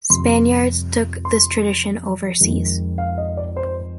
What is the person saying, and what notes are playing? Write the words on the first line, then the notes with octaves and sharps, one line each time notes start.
Spaniards took this tradition overseas.
F2 C3 G3 C6
C6
F2 D#3 G#3
F5
D#5
D5
C5